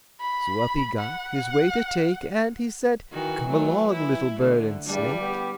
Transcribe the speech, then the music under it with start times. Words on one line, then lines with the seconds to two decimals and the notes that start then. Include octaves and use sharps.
So up he got, his way to take, And he said, "Come along, little bird and snake."
0.20 B5
0.99 F#5
3.12 D#3 E3 F#4
3.47 F#3 A3
3.92 E4
4.37 D3 A3
4.86 E2 G2 G3 D4
5.19 B3 G4